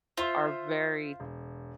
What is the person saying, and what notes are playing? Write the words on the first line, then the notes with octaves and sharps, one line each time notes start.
are very,
F4 C5 E5 C6
E1